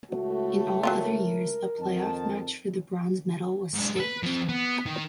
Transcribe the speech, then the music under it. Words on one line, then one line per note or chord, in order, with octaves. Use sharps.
In all other years, a playoff match for the bronze medal was staged.
C#2 A2 A3 F#4
F#3 G3 F4 A#4
F2 D#3 A5
G#2 D4
A4 B4
F3 C4
B3
D#3